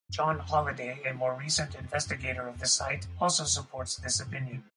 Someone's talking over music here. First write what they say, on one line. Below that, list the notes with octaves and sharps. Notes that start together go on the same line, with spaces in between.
John Holladay, a more recent investigator of the site, also supports this opinion.
F#2
F2
E2
F2
F2
F#2
F#2
E2
F2
E2
E2
F#2
F2
F2
F#2
F2
E2
F2
G2
G#2
C3
C3